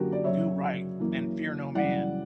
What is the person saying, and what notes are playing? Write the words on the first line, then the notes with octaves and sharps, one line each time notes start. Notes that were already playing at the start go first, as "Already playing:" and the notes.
Do right and fear no man.
Already playing: F#2 D3 F#3 A#3 C#4 F#4 G4 A#4
D5
F#2 C#3 F#3 C#5 E5
F#2 E3 A#3
F#2 C#3 E3 G3 D5 F#5